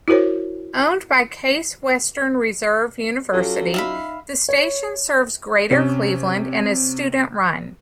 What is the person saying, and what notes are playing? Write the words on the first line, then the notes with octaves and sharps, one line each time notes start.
Owned by Case Western Reserve University, the station serves Greater Cleveland and is student-run.
E4 F#4 A#4 C5 C#5
F#3 C#4 F4 G4 A4
D#4 E5 F5 B5
C#5
C3 C#4